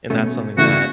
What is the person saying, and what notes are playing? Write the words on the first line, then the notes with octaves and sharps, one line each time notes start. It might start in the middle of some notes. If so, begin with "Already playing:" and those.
And that's something that
B2 A3 C#4
E2 C#3 A3 E4 F#4